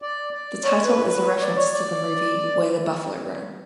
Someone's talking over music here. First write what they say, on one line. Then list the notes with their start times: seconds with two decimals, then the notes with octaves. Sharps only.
The title is a reference to the movie "Where the Buffalo Roam".
0.02 D5
0.33 D5
0.64 C#5
0.84 B4
1.06 B4
1.26 C#5
1.41 D5
1.56 C#5
1.72 D5